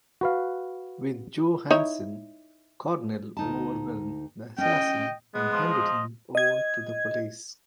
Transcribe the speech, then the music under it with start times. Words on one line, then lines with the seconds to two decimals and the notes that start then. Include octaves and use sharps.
With Joe Hansen, Cornell overwhelmed the assassin and handed him over to the police.
0.21 F#4 B4 F5
1.71 D#4 E4 C#5
3.37 D2 D#4 A5
4.58 C#4 C#5 D#5 G5
5.34 G#3 B3
5.53 F3
5.71 D#5
6.35 D#5 G#6